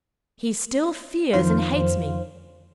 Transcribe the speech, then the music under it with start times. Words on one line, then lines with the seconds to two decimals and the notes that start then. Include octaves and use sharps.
He still fears and hates me.
1.33 F2 D#3 F3 C5 F5